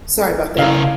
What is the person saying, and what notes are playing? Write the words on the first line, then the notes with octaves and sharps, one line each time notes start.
sorry about that.
C#3 E4 A#4 F5